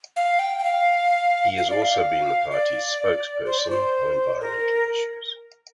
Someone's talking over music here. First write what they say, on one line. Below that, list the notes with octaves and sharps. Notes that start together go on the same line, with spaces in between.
He has also been the party's spokesperson on environmental issues.
F5
G5
G5
F5
F5
D5
F5
D5
C5
D5
C5
A#4